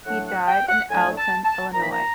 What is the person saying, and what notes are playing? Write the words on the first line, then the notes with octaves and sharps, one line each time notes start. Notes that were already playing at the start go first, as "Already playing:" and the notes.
He died in Alton, Illinois.
A2 F#3 A3 D4 F#5
F#5
G5
F#5
A2 F#3 A3 D4 G#5
A5
A5
A#2 F3 A#3 D#4 A#5
B5
A#5